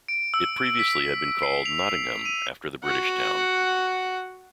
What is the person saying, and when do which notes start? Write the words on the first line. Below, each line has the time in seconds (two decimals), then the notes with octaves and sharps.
It previously had been called Nottingham after the British town.
0.08 D7
0.34 E6
0.79 B6
1.43 C7
1.65 F7
1.79 F7
2.25 D#7
2.84 F#4 F#5